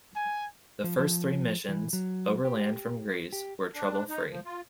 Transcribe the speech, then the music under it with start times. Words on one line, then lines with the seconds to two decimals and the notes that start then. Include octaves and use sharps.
The first three missions, overland from Greece, were trouble-free.
0.15 G#5
0.84 F3
0.99 F3
1.69 E3
1.93 F#3
2.45 G4
3.33 G4
3.75 D4
4.09 D#4
4.31 F3
4.45 F4